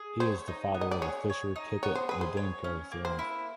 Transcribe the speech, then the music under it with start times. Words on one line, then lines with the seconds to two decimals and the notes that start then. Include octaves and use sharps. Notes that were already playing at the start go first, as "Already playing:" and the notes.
He is the father of the Fisher-Tippett-Gnedenko theorem.
Already playing: G#4
0.20 C5 C#5
0.48 D#4
0.74 B3
0.81 D#5
0.91 D5
1.02 G#4 C#5
1.30 C#5
1.56 D#4
1.83 B3 C#5
1.95 C5
2.09 G#4 B4
2.21 C5
2.37 C#5
2.64 C#4
2.92 A#3
3.05 C5
3.19 E4